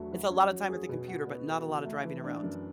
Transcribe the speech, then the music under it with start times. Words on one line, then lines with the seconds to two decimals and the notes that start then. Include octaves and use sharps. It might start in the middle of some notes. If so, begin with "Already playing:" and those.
it's a lotta time at the computer, but not a lot of driving around.
Already playing: E2 F#3 A3 D4
0.13 F#3
0.31 C#4
0.51 F#3
0.70 G#4
0.89 B2
1.08 F#4
1.27 B3
1.47 A4
1.67 E3
1.85 A3
2.04 E3
2.24 D4
2.43 F#2